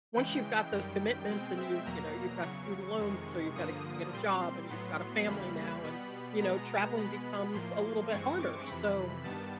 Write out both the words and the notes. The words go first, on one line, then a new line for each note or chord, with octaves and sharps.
once you've got those commitments and you've, you know, you've got student loans, so you've gotta get a job, and you've got a family now, and, you know, traveling becomes a little bit harder, so,
C#3 E3 G#3 G5
F#2 D#3 G3
B2 G#3 C4 G5
E5
E2 B2 F#3 A#3 A#5
E2 C#3 F#3 C#6
F2 C3 D#3 G#3
G2 D3 F3 A#3 D#6
A#2 G3 C4 C6
A2 F#3 B3
E2 C#3 E3 G3 A#3 B5
B2 G3 B3 B5
B2 G#3 B3 A#5
B2 G#3 B3 B5
A2 F3 A#3 C6
G2 E3 G#3 C4 C#6
D6
F2 C3 E3 B5
G2 D#3 G3 B3 A5